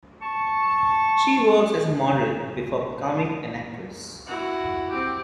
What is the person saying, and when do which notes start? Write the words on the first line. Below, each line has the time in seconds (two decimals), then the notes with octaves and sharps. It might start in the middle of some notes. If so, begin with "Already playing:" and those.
She worked as a model before becoming an actress.
0.22 A5 C#6
4.27 E4 F#4
4.90 C4 G4